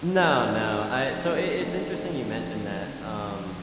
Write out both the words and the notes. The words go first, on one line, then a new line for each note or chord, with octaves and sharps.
No, no. I so, it it it's interesting you mentioned that, um,
F3
G#3 C4 D#4
F3
G#3 C4 D#4
F3
G#3 C4 D#4
F3
G#3 C4 D#4
D3
F3 A3 C4 D#4
D3
F3 A3 C4 D#4
D3
F3 A3 C4 D#4
D3
F3 A3 C4 D#4
C#3
F3